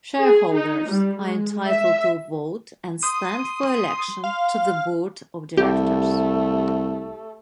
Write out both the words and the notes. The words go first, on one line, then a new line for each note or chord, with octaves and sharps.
Shareholders are entitled to vote and stand for election to the Board of Directors.
G#4
D#4
G3
G#3
E5
C6 D#6
F5
C2 A3 G4